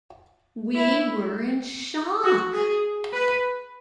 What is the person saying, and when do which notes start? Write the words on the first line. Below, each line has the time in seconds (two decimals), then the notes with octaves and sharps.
We were in shock!
0.75 E4
2.24 F#4
2.54 G#4
3.13 B4